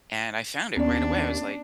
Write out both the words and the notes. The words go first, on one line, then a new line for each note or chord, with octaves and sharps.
and I found it right away. I was like,
D#2 B3 C#4 D4 D5